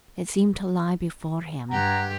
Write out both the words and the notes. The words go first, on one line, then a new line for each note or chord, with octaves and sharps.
It seemed to lie before him.
G2 G4 F#5 A#5